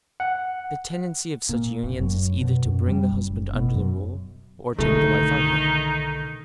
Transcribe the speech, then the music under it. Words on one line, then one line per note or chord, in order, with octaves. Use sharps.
The tendency of such unions is either to bring the husband under the Rule, or take the wife out of it.
F#5
A#2
F#1
F#2
B2
F#2
G3
F#1
B2
F#2
B1 D3 D#3 A3 D#4